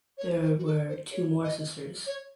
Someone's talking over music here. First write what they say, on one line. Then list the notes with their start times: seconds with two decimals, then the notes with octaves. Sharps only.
There were two more sisters.
0.18 C#5
0.41 C5
0.58 F#4
0.65 A4
0.88 C5
1.12 C#5
1.44 D#5
2.07 C#5